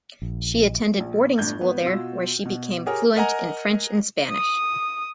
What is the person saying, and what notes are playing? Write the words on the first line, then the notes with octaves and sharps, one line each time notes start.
She attended boarding school there, where she became fluent in French and Spanish.
A#1
A#1
G1 A2 D4 G6 G#6
G#1 B3
B2 F4 F#4 E6
B2
G4 G#4 A#4 C#5
A#4 D#5 F#5 G#5 A#5
D#6